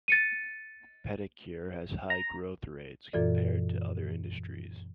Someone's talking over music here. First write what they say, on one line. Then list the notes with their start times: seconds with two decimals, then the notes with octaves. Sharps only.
Pedicure has high growth rates compared to other industries.
0.08 A6 C#7 D#7
2.10 A#5
3.13 F#2 A#2 E3 F4 A4 D5